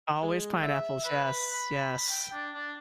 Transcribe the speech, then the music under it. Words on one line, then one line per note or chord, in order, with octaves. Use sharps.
Always pineapples, yes, yes.
G#3
E5
B4
B5
G5
D4
D4